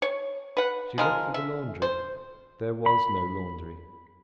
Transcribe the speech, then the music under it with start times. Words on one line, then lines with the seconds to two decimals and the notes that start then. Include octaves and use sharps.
She looked for the laundry; there was no laundry.
0.02 C#5
0.57 B4 F#5
0.98 F3 G#3 A#4
1.34 E5
1.82 C5
2.86 B5